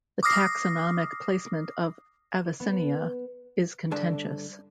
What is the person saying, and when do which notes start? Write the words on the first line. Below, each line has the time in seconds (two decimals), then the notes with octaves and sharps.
The taxonomic placement of "Avicennia" is contentious.
0.23 D6 D#6 F6 A#6 C7
2.60 B3
3.91 G2 D3 D4 A5